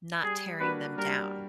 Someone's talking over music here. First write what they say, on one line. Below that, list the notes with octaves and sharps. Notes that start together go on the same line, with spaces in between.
not tearing them down.
G3 G#4
A#3 D4 F#4 B4
G3 A#4